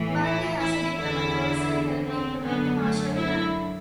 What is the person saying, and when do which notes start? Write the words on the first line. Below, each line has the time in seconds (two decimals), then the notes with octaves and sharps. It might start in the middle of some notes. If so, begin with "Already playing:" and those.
Bundy as a diplomat also helped implement the Marshall Plan.
Already playing: A2 E3
0.21 E4
0.58 E4
0.95 E2 D3 E4
2.06 C4
2.43 F#2 D3 B3
2.79 A3
3.16 E4